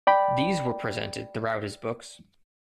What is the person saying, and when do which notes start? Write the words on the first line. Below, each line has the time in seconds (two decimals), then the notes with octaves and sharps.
These were presented throughout his books.
0.07 D5 G5 B5